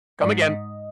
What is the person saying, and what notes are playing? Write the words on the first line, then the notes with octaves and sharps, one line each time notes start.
come again."
G#2 D5
D#5